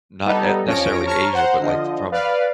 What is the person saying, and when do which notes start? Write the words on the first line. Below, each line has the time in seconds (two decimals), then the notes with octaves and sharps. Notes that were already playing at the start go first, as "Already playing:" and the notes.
not e necessarily Asia, but, like, from
0.25 G3 B3 D#4 A4
0.66 F2 F3 C#4 C#5 A#6 D7
1.05 C#5 A5 A#5 C#6 F6
1.33 C5 F#5 A#5
1.59 D3 F3 D#5
2.12 B4 D5 F5